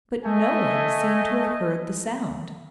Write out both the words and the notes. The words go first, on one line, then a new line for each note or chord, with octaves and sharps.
But no one seemed to have heard the sound.
A3 D#5 E5 G#5